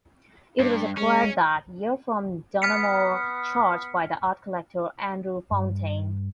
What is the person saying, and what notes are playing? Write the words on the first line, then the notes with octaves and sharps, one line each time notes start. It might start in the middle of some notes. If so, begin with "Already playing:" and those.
It was acquired that year from Donoughmore Church by the art collector Andrew Fountaine.
G2
G#3 C#4
B3 F6 B6 C#7
G2